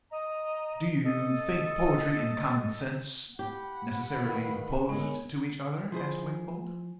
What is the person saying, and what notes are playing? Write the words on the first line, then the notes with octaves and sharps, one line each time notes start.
"Do you think poetry and common sense necessarily opposed to each other?" asked Wingfold.
D#5 A#5
A4 D#5
G4 F#5 B5
D#3 E4 B4 F5
G#3 B3 G#4 A#4 C#5
F3 E4 G#4 C5